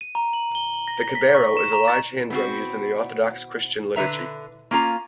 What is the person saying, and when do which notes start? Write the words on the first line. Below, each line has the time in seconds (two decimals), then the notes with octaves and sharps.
The "kebero" is a large hand drum used in the Orthodox Christian liturgy.
0.01 D#7
0.15 A#5
0.33 F#7
0.55 G7
0.74 F#7
0.88 A#6
1.02 A#6
1.15 B6
1.35 C#6
1.57 E7
1.73 A#5
1.88 A6
2.30 B3 C4 F#4
3.96 D3 G#4 B4 E5 A#5
4.71 A#3 C#4 F4 A#5